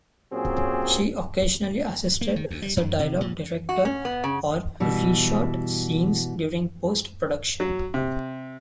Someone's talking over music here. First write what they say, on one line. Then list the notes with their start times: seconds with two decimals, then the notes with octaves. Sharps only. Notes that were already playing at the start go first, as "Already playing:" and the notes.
She occasionally assisted as a dialogue director, or re-shot scenes during post-production.
0.32 A#2 F#3 C4 C#4 G4 G#4
2.21 A#3
2.36 D#3
2.50 D2
2.62 G3
2.77 F#2
2.99 C3
3.21 A#2
3.69 F#4
3.85 C#4
4.05 B3
4.24 C#3
4.80 B2 E3 G3
7.60 F#3
7.94 C3